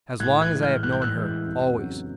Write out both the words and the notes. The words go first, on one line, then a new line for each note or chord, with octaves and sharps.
"As long as I have known her--always."
A2 F#6 G#6
F#6 G#6
E3 G#3
F6 G6
A2 F#6
G6
E6 F#6
E3 G#3
F2
C#3 F#3 B3 D#4